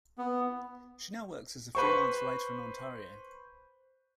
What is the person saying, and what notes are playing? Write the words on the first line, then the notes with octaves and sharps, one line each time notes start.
She now works as a freelance writer in Ontario.
B3
B4 C5 C#6